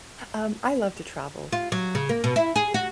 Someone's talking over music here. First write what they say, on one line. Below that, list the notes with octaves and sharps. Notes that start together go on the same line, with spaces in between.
Um, I love to travel.
F4
F#3
C#3
A#3
B2
E4
G#4
F#4